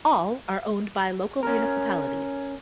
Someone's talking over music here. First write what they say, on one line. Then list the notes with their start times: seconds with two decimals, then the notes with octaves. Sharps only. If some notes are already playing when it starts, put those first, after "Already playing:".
All are owned by local municipalities.
1.43 C#4 A#4